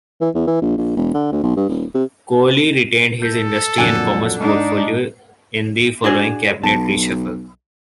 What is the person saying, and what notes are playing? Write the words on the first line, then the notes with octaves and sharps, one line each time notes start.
Colley retained his Industry and Commerce portfolio in the following cabinet reshuffle.
E3
E2
E3
A#1
A#1
E1
D3
D2
B1
G2
D#1
C3
A4 G6
F2 A#2 D3 F#3 G#5
G#2 D4 D#4
D4 F#4 G#4
B1 A5